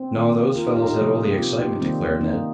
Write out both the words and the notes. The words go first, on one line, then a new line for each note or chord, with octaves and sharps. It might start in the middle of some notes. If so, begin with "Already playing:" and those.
"No, those fellows had all the excitement," declared Ned.
Already playing: C4
D#3 A#3
F4 A#4
D#4 G4
F4 A#4
D#4 G4
C3 F3 A#3
G4
C4 F4
D#4 G4
D#3 G3 A#3 C4
A#3 D#4